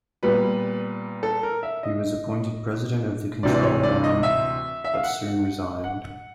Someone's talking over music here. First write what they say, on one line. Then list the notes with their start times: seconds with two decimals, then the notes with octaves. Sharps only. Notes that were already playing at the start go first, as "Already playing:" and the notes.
He was appointed president of the Control Yuan, but soon resigned.
0.23 A#2 G3 B3 B4
1.23 A4
1.43 A#4
1.63 E5
1.83 D#5
3.43 D2 C3 E3 D5
3.54 D5
3.63 C#5
3.83 D5
4.04 D#5
4.23 E5
4.84 E5
4.94 F5
5.03 F#5
5.84 F#5